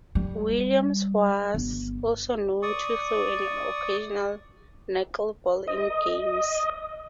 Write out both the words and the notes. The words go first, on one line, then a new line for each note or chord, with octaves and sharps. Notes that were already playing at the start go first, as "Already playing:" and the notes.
Williams was also known to throw an occasional knuckleball in games.
G3
G1
D5 C#6 D#6
D#5